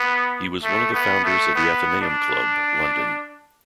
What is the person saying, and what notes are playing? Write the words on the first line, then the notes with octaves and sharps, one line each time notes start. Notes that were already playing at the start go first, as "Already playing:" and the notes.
He was one of the founders of the Athenaeum Club, London.
Already playing: B3
A3
B3
A3
B3
D4